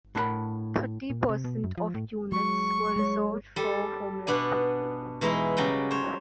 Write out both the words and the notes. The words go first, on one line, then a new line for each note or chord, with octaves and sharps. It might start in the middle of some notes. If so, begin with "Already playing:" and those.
Thirty percent of units were reserved for homeless people.
A2 D4 E4 A#4 F#5 B5
A#2
C3
B2
F#2
F3
A2
F#3 G#3 C#6
G#3 C#5
G3 A4
B2 B3 D4 G#5
B2 E3 G#3 D#4 E4
C#3 F#3 G3 D#5 G5
C5 C#5